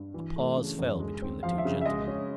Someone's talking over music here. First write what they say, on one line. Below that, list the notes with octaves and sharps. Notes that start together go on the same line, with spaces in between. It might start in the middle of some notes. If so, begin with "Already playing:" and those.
A pause fell between the two gentlemen.
Already playing: G2
E3
A3
C#3
F#2
G#3
C4
F3 F5
E5
C#3
E5
G#3 D#5
C#4